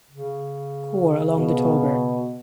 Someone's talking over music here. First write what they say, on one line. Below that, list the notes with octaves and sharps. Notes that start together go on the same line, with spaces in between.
Corps along the Tauber.
C#3
B2